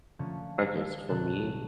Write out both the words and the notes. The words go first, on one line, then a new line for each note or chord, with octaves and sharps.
Okay, so, for me,
D3 F3 A3 A#3 C#4
B1 D3 A5 F#6 A6 E7